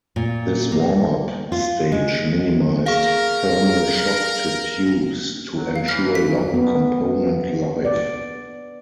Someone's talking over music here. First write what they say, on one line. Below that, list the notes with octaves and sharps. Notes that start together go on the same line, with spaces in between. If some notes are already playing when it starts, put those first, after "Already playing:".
This warm-up stage minimized thermal shock to tubes to ensure long component life.
A#2
A#3
F4
G#3
G#4 A#4 F5
F#3
F5
E3 F6
B6
C#3
B3
D5